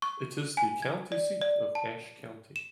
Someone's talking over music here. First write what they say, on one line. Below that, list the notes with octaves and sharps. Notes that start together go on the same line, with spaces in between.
It is the county seat of Ashe County.
C#6
G#5
G#6
D5
D5
A5
E7